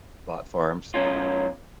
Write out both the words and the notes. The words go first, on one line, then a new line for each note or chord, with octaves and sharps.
bot farms.
F#2 B2 C#4 F4